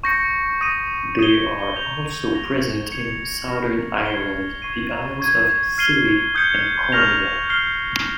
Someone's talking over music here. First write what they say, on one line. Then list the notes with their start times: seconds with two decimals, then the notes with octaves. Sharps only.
They are also present in southern Ireland, the Isles of Scilly and Cornwall.
0.04 C#6 G6 A#6 C#7
0.61 D#6 A#6 D#7
1.19 D#6 G#6 D#7 G7
1.76 G6 A#6 F7
2.34 G6 A#6 F7
2.90 G#6 C#7 F7
3.48 C#6 F6 A#6
4.05 G#6 C7 G7
4.62 C#6 G#6 C7 D#7
5.20 C#6 G#6 D#7
5.78 F6 G#6 C7 D#7 G7
6.35 D#6 G6 C#7 G7
6.92 C#6 F6 A#6 F7
7.49 F6 C7 G7